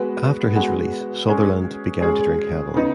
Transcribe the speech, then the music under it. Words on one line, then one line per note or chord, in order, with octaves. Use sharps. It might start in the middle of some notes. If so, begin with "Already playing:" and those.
After his release Sutherland began to drink heavily.
Already playing: G#3 B3 F#4 B4
G#3 B3 F#4 B4
G#3 C#4 G#4
G#3 C#4 G#4
C#3 B3 D#4